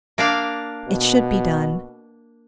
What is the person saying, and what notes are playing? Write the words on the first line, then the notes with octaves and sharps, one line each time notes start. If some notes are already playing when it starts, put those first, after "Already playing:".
It should be done!
A#3 D4 F5
B2